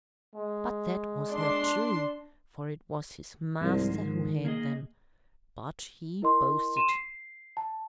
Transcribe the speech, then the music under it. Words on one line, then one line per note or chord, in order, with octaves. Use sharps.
But that was not true, for it was his master who had them: but he boasted.
G#3
D4 C6
C2 G#2 F3 G#3
D#3
A#3 G#4 D#5
E4 A#4 D#5 C6
C6 D#7 E7
C7
A5